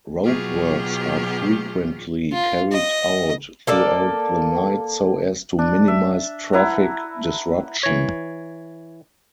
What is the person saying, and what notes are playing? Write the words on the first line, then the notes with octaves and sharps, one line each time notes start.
Roadworks are frequently carried out throughout the night so as to minimize traffic disruption.
B2 F#3 F4 G4 G#4
F4
D#5
A#3 A4 D5
D4
E5
E4 B4 F#5 A#5
E3 C#5